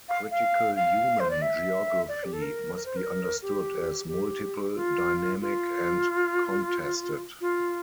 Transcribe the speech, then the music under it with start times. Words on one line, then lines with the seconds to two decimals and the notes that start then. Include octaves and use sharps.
Critical human geography must be understood as multiple, dynamic, and contested.
0.09 F5
0.31 F5
0.76 F5
1.20 C5
1.30 D5
1.42 E5
2.08 D5
2.24 G4
2.33 A4
2.42 A#4
2.75 A#4
2.86 C5
2.96 A#4
3.42 G4
4.08 G4
4.75 F4
5.41 F4
7.41 F4